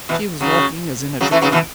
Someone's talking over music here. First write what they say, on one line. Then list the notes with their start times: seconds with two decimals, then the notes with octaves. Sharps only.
She was walking as in a dream.
0.09 B2 E3
0.41 C#3 F#3
1.21 C#3 F#3
1.31 E3 A3
1.41 C#3 F#3
1.52 B2 E3